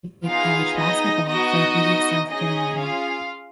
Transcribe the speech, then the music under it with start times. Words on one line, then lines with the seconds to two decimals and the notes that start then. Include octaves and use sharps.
He played college basketball for the South Carolina.
0.25 B3 D#4 F4 G#4 F5
0.76 D#4 D#5
1.27 B3 D#4 F#4 D#5
2.29 C#4 D#4 G#4 D#5
2.79 F4 F5